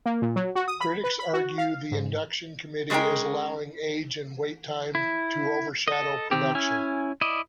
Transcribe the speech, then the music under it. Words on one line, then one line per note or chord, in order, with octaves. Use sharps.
Critics argue the induction committee is allowing age and wait time to overshadow production.
A#3
A#2
F#3
F#4
D#6
B5
B4
B5
F#4
F5
G#2
C#3 G#3 G#4 A#4 G5
E4
A4 D#5
D#3 C4 G4
C#4 E4 G#5
E4 D5 D#5